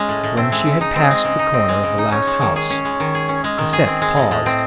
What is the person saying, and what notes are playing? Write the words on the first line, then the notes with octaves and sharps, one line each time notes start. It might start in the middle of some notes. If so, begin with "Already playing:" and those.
When she had passed the corner of the last house, Cosette paused.
Already playing: G#3 C#4 D#5
A2
A2
C4 E5
G#3
C#3
D#4 D#5
C4
G#3
C#3
D#4
C4
G#3
C#3
D#4
C#4 C#5
G#3
D#3
G#4 C#5
C#4
G#3
D#3
G#4
C#4
G#3 D#5
D#3
G#4
C4
G#3
A2
A2
C4